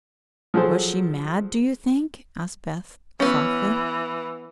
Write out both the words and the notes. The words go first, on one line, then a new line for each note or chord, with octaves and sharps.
"Was she mad, do you think?" asked Beth, softly.
F3 F#3 G#4 A4 C5
E3 B3 C#4